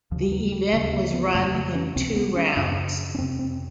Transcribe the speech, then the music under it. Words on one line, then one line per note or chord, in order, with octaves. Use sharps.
The event was run in two rounds.
D#2 C#3 F3
G3
F#3
G3
D2 C#3 A3
A#3
B3
F2 C#3 A3
A3
C#4
C#2 C3 C4
B3
C#4
F#2 C#3 D4
C#4
F2 C3 C4
C4